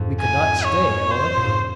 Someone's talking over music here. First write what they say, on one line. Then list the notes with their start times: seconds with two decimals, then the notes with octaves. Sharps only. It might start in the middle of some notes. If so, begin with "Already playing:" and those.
We could not stay at Olympia.
Already playing: F2 G#2
0.20 G#5
0.65 C#5
1.10 C5
1.36 A#2
1.45 G#2